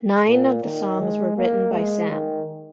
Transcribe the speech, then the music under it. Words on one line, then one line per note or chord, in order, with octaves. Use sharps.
Nine of the songs were written by Sahm.
A#2
D#3
G#3
A#3
G#3
D#3